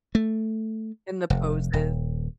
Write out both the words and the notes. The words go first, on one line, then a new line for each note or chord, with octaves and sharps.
And the poses.
A3
F1
D#1